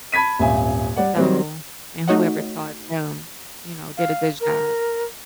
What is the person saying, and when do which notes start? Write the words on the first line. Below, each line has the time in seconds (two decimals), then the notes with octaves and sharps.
so and whoever taught them, you know, did a good job.
0.12 A5 B5 G#6 B6 D#7
0.39 D#1 G#1 E5 G#5
0.96 G3 D5 F#5
1.16 F#3 G3 C4
2.08 A3 D#4 F#4 C#5 D#5 F#5
3.97 F5
4.40 A#4